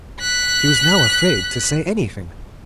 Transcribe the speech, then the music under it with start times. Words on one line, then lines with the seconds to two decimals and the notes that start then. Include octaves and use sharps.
He was now afraid to say anything.
0.20 F#6 B6